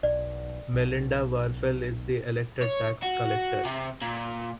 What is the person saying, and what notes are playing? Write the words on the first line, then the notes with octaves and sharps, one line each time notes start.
Melinda Warfel is the elected Tax Collector.
B1 D5
B1
C#5
F#4
C3
A#2